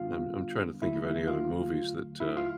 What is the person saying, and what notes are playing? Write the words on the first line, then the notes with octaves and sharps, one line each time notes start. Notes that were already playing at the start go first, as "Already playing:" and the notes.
I'm I'm tryna think of any other movies that, uh,
Already playing: F#2 D3 G3 B3 D4 F4 F5
D#2 D3 F#3 A3 E4 E5
E4 E5
F4 F5
E4 E5
F4 F5